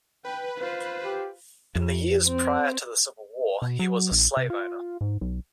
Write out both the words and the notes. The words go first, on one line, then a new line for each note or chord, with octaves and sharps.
In the years prior to the Civil War, he was a slaveowner.
B4 G5
F4 C5
G4
F2
C4
B2
F#3
A#1
C3
F4
G#2
B1